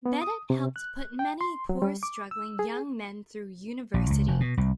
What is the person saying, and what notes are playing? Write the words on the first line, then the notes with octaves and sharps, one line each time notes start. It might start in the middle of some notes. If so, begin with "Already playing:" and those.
Bennett helped put many poor, struggling young men through university.
B3
D#6
C3
F#6
G5
C6
F#3
G3
D6
E6
G#4
A#1
C#2
F1
B2
C2